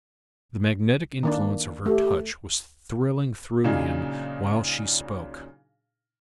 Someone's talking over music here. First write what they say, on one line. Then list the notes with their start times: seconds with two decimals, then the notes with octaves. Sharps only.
The magnetic influence of her touch was thrilling through him while she spoke.
1.23 D#3 A#3 D4
1.86 A3 G4
3.64 A#2 C#3 F#3 D4 D#4 G#4